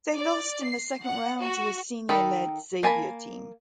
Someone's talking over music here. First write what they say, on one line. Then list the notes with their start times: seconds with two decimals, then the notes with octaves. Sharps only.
They lost in the second round to a senior-led Xavier team.
0.16 D5
0.65 C7
1.04 F#5
1.41 F#4
2.09 D#3 A4 B5
2.83 A#3 G#5 A5 B5